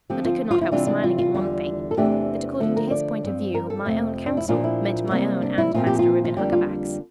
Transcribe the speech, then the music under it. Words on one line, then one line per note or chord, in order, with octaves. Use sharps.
But I could not help smiling at one thing, that according to his point of view my own counsel meant my own and Master Reuben Huckaback's.
D3 F3 C4 G4
F4
F4
E4
C3 E3 G3 D4 F4
D4
F4
F4
E2 D3 G3
A4
E2 C3 E3 A3 D4 G4
D3 F3 A3 A4
A#4
D5
G2 F3 C4
A#4
A4
F2 C3 F3 A3
D4
E4
A#2 F3 A#3 D4 F4
E4
C3 G3 A#3
D4
E4
A#2 F3 C4 F4
G4
F4
F4
F2 D3 G3 A#3 D4 G4
F4